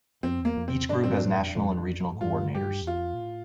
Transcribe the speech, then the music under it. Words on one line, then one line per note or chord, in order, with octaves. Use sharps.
Each group has national and regional coordinators.
F2 C4
E2 A#3
F2
C4
E2
G2 D4
G2 C4
D4
A2
F2
F2
A2
G2 F4
G2 G4
E2
F2 F4
A#2
A2